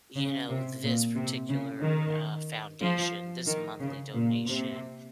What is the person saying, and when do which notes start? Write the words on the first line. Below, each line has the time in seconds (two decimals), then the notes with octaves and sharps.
you know, this particular, uh, foundation, this monthly donation,
0.17 C#3
0.50 C3
0.83 A#2
1.16 C3
1.49 C#3
1.82 D#3
2.81 F3
3.47 D#3
3.81 C#3
4.14 A#2
4.47 C3